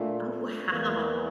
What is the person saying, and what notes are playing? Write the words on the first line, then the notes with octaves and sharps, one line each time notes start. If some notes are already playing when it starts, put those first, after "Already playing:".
Oh, wow.
Already playing: A#2 A3 D4 F4
E2 E3 A#3